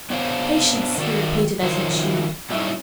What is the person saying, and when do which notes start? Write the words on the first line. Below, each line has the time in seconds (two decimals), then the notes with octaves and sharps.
"Patience!" he repeated as he chewed.
0.10 B3 D4 C5 C#5 F5
0.98 D#3 F#4 D5
1.63 D#3 F3 F#3 C5 C#5
2.50 F#3 G3 A3 C#4 D#4 E4